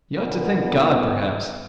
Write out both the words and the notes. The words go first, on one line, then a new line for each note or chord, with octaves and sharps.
You ought to thank God, perhaps.
A#2 D3 B3